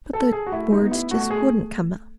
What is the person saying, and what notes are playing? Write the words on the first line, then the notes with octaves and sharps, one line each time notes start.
But the words just wouldn't come.
A4
G#4
F#4
A3 E4
D#4
B3
E4
A3 F#4
G#4